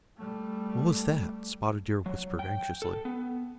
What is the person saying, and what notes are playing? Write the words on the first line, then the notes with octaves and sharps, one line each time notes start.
"What was that?" Spotted Deer whispered, anxiously.
G3 A3
F#3
G5
A4
B3